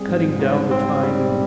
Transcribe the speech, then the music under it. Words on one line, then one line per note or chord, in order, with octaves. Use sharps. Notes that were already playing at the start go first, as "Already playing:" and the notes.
cutting down the time and
Already playing: G3 C4 G#4
G#2
G#2
C4
G3